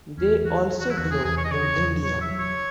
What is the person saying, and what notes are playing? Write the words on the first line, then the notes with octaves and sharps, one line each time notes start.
They also grow in India.
E2 C#4
E3 F#4
E3
F#4
E4
E2 F#4
G#4
E2 G#4
C#5
D#5
C#3 C#5
E2
F#3 C#5
E5
F#3
C#5